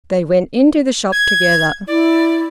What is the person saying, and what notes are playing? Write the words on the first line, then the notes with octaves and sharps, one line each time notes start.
They went into the shop together.
G#6
E4 D5